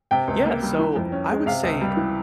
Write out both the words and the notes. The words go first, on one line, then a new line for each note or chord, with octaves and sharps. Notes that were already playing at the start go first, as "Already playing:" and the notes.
Yeah, so, I would say,
C3 G5
C#2
A#3
G3
E3
F2
C#4
G#3
C3 F5
C#2
G3
E3